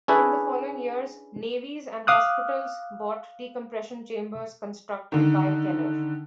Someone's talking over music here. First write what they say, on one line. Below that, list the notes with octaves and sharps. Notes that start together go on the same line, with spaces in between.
In the following years, navies and hospitals bought decompression chambers constructed by Keller.
C#4 D4 E4 G#4 A4 B4
F5 D6 D#6 F6 F#6
D3 D#3